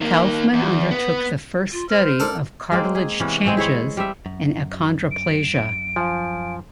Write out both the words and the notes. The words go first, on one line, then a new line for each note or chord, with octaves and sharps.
Kaufmann undertook the first study of cartilage changes in achondroplasia.
D#3 A#3
E2
B3
F4
C5 F6
A4 A#4 D5
G#3 A#3 C4
G#4
C3 E3 B3 C#4
A2 G#3 C4 G#4
E4 G#4 C#5 E5
G3 C4 E5
F#2
D7
F3 F5 G#5